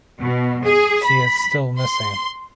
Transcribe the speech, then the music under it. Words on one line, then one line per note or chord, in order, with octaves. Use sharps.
She is still missing.
B2
G#4
B5
C6